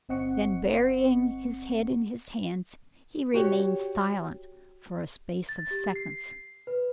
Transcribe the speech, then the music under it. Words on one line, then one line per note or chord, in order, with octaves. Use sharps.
Then burying his head in his hands, he remained silent for a space of seconds.
G1 C4 D#5 F#5 C#6 C#7
F#4 G4 C#5
A6
G4
C7
B4